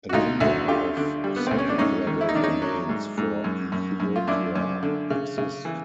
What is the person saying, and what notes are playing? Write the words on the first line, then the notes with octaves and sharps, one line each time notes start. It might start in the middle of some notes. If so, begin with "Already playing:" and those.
A number of second-level domains for Ethiopia exist.
F#4
D2 D#4 F4
D2 E4 F#4
D3 F4 G4
D3
G3
B3
D2 C4
C#4
D4
G#2 C#4 D#4
D#3
E4
D#4
D#3 D4
C#4 D#4
F#3
G#2
G#2
F#2
F#2
F#2
F4
F#2 D4 E4
F#2
D3
C#3
C#3
E3